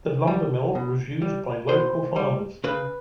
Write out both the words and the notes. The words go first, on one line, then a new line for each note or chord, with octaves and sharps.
The lumbermill was used by local farmers.
G3
B2
G3
B2 C5
G3
C#3 B4